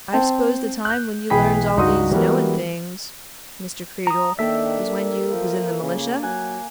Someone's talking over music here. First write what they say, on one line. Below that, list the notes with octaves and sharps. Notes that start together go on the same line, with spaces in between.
"I s'pose the time when you learned all these knowing things, Mr. Creedle, was when you was in the militia?"
C4 C5 G5 A5
F#6 G6
B1 E3 G#4 G5 B5 B6
C#2 G2 D#4 F#4 C6 D#6
E3 G3 G#3 B3 F#4 A#4
A#5 D#6
D#3 A#3 D4 A4 E5 G5
A#4
F3
C#3 A#3
F#3 G#5 F#6